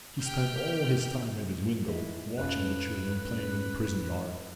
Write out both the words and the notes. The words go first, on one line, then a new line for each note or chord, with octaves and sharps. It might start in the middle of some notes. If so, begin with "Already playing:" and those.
He spent all his time at his window, watching the children playing in the prison yard.
G4 G5 F6 G6
G#3 D#4 E4
F2 A3 C#4 F4 A4 B4